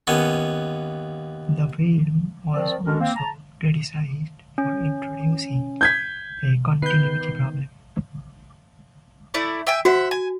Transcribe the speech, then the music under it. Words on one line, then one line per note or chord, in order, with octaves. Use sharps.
The film was also criticised for introducing a continuity problem.
D#2 B3 C#4
D#3 F3 C4 D5
G#3 C#4 D4 F#4 A4 A#4
A#3 C4
A5 A#5
C#4
G6 G#6 B6
D#3 B3 B4 G6 C7
A3 E4 D5
E5 G5 G#5
F#4 C5 E5 F#5
G#5